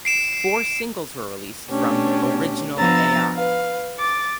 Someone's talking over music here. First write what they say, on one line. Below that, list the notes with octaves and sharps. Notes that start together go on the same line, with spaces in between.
Four singles were released from "Original Ai".
C7 D7 E7
B2 A3 C#4 D4 G4
F3 B3 D4 A#5 E6 A6
B4 F5
D6 A6